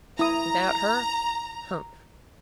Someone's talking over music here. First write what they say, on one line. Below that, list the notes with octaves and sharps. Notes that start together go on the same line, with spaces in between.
Without her? Humph!
E4 A#5 D#6